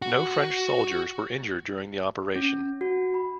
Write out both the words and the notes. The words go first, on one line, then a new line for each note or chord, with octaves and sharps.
No French soldiers were injured during the operation.
F#4
C#4
F#4
B5